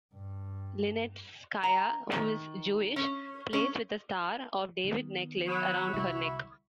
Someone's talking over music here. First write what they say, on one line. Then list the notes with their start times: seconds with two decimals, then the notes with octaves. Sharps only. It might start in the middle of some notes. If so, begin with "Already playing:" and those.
Linetskaya, who is Jewish, plays with a Star of David necklace around her neck.
0.14 G2
1.63 A#5
2.12 D#3
2.96 C#4
3.53 C#4
4.84 D#3 B3
5.48 F#3 F#4 B5 C#6
5.93 C2 D3 G3 E4